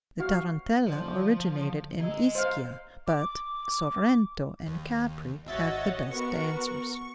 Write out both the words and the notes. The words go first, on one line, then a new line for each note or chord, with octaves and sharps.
The Tarantella originated in Ischia, but Sorrento and Capri have the best dancers.
F#4 F5
D3 F3 D5
D3
G#4 D#5 A#5 E6
C5 F5
D6
D#2
G#1 F#4 C#5 D#5 E5 A6
B3 F#4 A#4 C#6